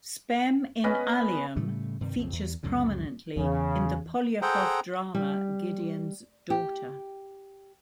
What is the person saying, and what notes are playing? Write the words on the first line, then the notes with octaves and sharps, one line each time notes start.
"Spem in alium" features prominently in the Poliakoff drama "Gideon's Daughter".
B3 C#4 B4 D#5
A2 C#3 G3 A3
G2 C3 D#3 G3
B1 F2 C#3 C4
E2
C#2 F#2 A#2 D3
E2 C#3
G#4 A4 C5 F#5 G5 A#5
G3
G4